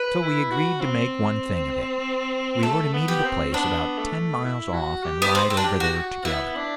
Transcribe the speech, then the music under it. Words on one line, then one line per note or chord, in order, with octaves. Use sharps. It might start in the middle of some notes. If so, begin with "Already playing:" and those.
So we agreed to make one thing of it. We were to meet at a place about ten miles off and ride over there together.
Already playing: B4
E4
F#4
C4
A3 A4
B3
G4
C4
B3 D4
A3
E4
F#4
G4
B3
C4
C4
D4
G4
F#4
F#4
B3 E4
D4